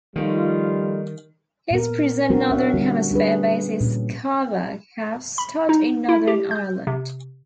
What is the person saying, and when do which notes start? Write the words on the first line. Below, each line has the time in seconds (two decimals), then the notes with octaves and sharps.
His present Northern Hemisphere base is Scarvagh House Stud in Northern Ireland.
0.16 D#3 F3 G3 A3 D#4 F4
1.71 A#2 B3 A#4
2.30 F#3 B3 C4 D4 F#4 A#4
2.50 C#4 E5 F#5
2.74 D3 G3 F#4
3.11 G3 D4 G#4 B4
3.81 A#2 C#4
5.38 B5
5.69 D#4
6.09 E4
6.27 G4
6.51 G6
6.87 C3